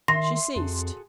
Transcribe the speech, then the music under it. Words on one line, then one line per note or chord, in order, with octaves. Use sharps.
She ceased.
D#3 E5 C6 A#6
F2 F#4 G#4 A4